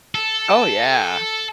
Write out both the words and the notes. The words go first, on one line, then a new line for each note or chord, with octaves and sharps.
Oh, yeah.
A4